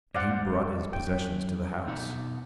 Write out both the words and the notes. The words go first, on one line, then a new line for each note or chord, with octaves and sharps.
And he brought his possessions to the house.
G3 C5 D5 F5 F#5
G5
F#2
B2 D#4 F#5